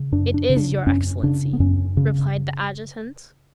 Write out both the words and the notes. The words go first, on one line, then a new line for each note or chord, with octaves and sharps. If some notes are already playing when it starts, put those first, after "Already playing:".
"It is, your excellency," replied the adjutant.
Already playing: C#3
F#2 D4
D4
C#3
D4
F#2 C#4
C#3 D4
B3
F#2 C#4
C#3